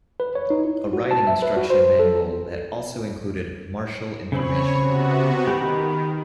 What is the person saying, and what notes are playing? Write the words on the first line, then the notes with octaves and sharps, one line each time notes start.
A riding instruction manual that also included martial information.
B4
C#5
D#4
E4
F#4
A5
E5
B4
F#4
C5
A4
C#3 C4 C#5 B5
C3 B3 F#4
D#3 G4 B4 B5